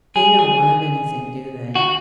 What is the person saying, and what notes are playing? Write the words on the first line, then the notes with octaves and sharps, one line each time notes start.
"They don't want anything, do they?"
G#4
G#4
F#4